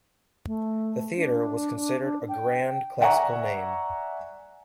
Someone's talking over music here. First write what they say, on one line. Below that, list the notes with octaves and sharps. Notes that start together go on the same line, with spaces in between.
The Theatre was considered a grand classical name.
A3
D4
G5
D5 E5 F#5 G#5 A#5 C#6